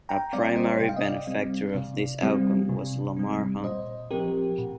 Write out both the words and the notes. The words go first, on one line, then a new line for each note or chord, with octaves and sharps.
A primary benefactor of this outcome was Lamar Hunt.
G5 A#5
G3 C4 D5 F5
C5 D#5
C3 G5
F5
D#5
D5 F5
G3 C4
C3
G3 C4
C3
G3 C4
A#2 C5 D#5
F3 C4 G4 A#4
A#2